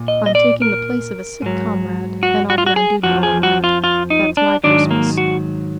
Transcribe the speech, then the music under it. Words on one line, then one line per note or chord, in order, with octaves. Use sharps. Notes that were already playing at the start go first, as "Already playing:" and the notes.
"I'm taking the place of a sick comrade, and I'll be on duty all night. That's my Christmas."
Already playing: A#2
D#5
D#5
D5
A#4
G#2 F#3
F#4
F#4
F4
F#4
G#4
F2 F3 F#4
G#4
F#4
F4
F4
D#4
D4
G#2 D#3 F#3 D4
A#3
F#4